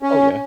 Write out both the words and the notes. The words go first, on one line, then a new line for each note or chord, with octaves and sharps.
Oh, yeah.
C#4